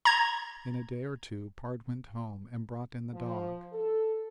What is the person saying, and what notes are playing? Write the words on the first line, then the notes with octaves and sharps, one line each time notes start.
In a day or two pard went home and brought in the dog.
A#5 G#6
F3
A4